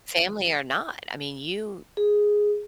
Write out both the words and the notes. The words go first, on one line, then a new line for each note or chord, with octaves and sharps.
Family or not, I mean, you
G#4